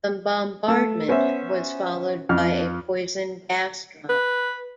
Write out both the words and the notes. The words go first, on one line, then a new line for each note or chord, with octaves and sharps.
The bombardment was followed by a poison gas drop.
A3 A4
B3 C#4 C5 E5
F2 F6
B4